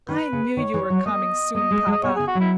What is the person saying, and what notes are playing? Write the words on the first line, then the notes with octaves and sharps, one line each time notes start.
"I knew you were coming soon, papa."
D#3 B4
C#3
D#3 C#5
E3
F#3
A#3 D#5
A#3 D#5
G#3
G#3
D#5
B2 C#5
C#3 G#4
F#4
F#3 E4